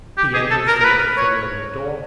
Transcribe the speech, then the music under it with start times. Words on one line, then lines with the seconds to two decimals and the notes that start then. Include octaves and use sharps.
He enters the old familiar door.
0.17 G4
0.34 G#4
0.51 A4
0.67 A#4
0.80 A#4
0.84 B4
1.17 C#5